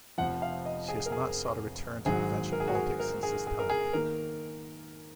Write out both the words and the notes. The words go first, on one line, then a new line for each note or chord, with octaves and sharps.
She has not sought a return to provincial politics since this time.
F1 F2 F3 F#5
F5
D#5
G#4
A#4
G#4
G#1 G#2 D#3 F#3 G#4
A#4
G#4
F#4
G#4
A#4
G#4
G#4
A#4
G#4
D#3 A#3 A#4